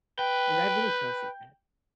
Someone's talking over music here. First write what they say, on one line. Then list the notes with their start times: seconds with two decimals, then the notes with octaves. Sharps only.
and that really tells you that
0.19 B4 G5